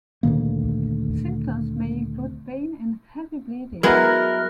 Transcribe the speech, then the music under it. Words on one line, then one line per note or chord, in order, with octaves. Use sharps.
Symptoms may include pain and heavy bleeding.
D2 A#2 D#3 A#3
F#3 G#3 B3 E4 A#4 F6 F#6 A#6